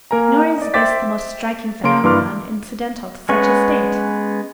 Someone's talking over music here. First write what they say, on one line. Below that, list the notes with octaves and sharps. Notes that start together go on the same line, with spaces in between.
Nor is this, the most striking phenomenon incidental to such a state.
A#3 A#4 G#5 A#5
D5 D#5
C5 E5 G5 D6 A6 B6
C#3 A#3 A#4 C6 D7
G2 E3 A#3 C6 D6 F6
G#3 B3 C#4 B4 C#6